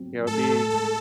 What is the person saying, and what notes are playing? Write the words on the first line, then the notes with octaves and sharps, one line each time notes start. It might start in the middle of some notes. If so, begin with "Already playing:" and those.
Yeah, it'd be
Already playing: F#3 C4
A2 A4
G#3 A4